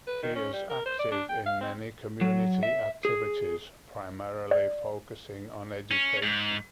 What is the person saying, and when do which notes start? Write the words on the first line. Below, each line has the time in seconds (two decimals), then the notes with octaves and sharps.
He is active in many community activities, primarily focusing on education.
0.07 B4
0.23 D#3
0.35 C#4
0.53 G3
0.70 A#4
0.86 C5
0.99 D5
1.11 D4
1.29 G5
1.46 F5
1.61 C4
2.21 F#3
2.63 E5
3.05 G#4
4.51 D5
5.91 C#4
6.23 G#2